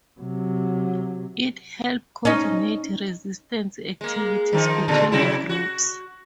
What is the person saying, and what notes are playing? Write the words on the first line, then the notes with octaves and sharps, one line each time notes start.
It help coordinate resistance activities between the groups.
C3 F#3
C#4 D#4
G#3 A#3
D#3 F3 D#4
A#2 D3 G#3
C3 F#3 E4
F#4